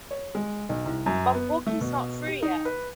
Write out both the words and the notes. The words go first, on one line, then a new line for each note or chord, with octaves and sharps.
But Porky's not through yet.
C#5
G#3
B1
C2
F#2
B3
A3
B2
G4
D#4
B4